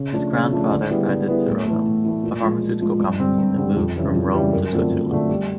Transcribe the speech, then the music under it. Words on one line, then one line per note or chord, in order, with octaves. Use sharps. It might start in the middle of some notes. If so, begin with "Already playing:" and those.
His grandfather founded Serono, a pharmaceutical company that moved from Rome to Switzerland.
Already playing: C#3
F3 A3 D4
C#3
F3 A3 D4
D3
G3 B3 E4 G#4
D3
G3 B3 E4 G#4
A2
E3 A3
A2
E3 A3
A#2
F3 G#3
A#2
F3 G#3
G2
D3 G3 C4
G2
D3 G3 C4
F2
C#3 E3 G3
F2
C#3 E3 G3
F#2
D3 F3 A3 C4
F#2
D3 F3 A3 C4
G3